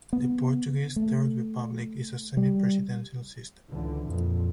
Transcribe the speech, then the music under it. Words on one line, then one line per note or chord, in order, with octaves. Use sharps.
The Portuguese Third Republic is a semi-presidential system.
B3
A3
G3
C#2 D3 E3
F2 A#2